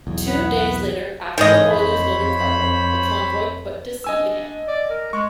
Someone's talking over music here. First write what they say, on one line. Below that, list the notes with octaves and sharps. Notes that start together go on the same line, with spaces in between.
Two days later after the oilers loaded cargo, the convoy put to sea again.
B1 E2
B3 B4 F#5
G#2 D#3 E3 G#3 A4 B4 D#5 G#5
F2 C5 C#5 B5
D4 D#5 G#5 E6
D5
A#4
G#3 C#6